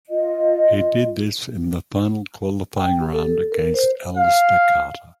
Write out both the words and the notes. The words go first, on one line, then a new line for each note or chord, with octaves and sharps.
He did this in the final qualifying round against Allister Carter.
F4 D#5
G5
G4
A4
A#4
C5
F5